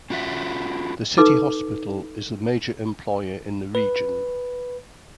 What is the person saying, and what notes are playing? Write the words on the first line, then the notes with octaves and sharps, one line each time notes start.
The city hospital is the major employer in the region.
C#4 F4 F#4 B4 E5
D#4 A4 B4 D6
B4